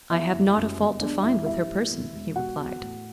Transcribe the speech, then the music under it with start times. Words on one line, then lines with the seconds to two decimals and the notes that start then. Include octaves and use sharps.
"I have not a fault to find with her person," he replied.
0.10 E2 E4 E5
0.33 F#1
0.56 F#2
0.78 G1
1.01 E2 D4 D5
1.23 E1 E4 E5
1.45 G2 E4 E5
1.68 A1
1.90 E2
2.13 E1
2.36 B2 F#4 F#5
2.58 E2
2.80 A2